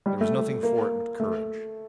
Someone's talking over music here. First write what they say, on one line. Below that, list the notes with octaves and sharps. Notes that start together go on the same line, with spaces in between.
There was nothing for it but courage.
G3
A3
A#3
A3